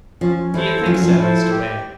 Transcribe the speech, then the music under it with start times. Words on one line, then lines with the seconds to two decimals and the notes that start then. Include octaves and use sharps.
'Do you think so, Mr Wegg?
0.21 F3 C#4
0.54 E3 E4 A4 C5
0.86 F3 C#4
0.94 F#3
1.03 F3
1.18 E4 A4 C5
1.50 G4